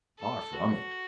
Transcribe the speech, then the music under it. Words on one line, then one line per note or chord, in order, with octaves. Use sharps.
Far from it.
A4
F#4